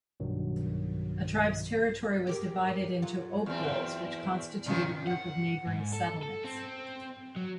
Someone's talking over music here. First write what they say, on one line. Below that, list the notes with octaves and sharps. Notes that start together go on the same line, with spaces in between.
A tribe's territory was divided into "opoles", which constituted a group of neighboring settlements.
B1 G2 D#3 F#3
G4 G#4 A#4
F#3 F4
E2 C4
F#2 C3 D#3 E3 F4
F#5
G#2
A4
A4
C4
F#3